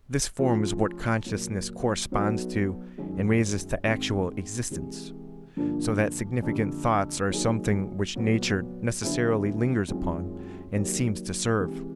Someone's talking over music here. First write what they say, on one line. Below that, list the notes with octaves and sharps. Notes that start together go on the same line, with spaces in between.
This form is what consciousness corresponds to and raises to actual existence; so that significant thoughts are something which nature necessarily lingers upon and seems to serve.
F3 A3 C#4 F4 G#4
A#2 F#3 A#3
F#3 B3 D#4 F#4 A4
F#2 D#3 G#3
G#2 D#3 G#3 C4
C3 E3 G#3
G2 D3 F3 A#3 D4
F2 D3 G3 A#3
D#3 F#3 A#3 D#4 G#4
A#2 F#3 B3
D3 F#3 B3 E4 G#4
F#2 D#3 G#3 C4 F4
D#3 F#3 A#3 D#4 G4
C3 E3 G#3